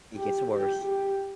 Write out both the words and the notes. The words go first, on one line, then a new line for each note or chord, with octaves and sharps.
It gets worse,
G4
G4
G4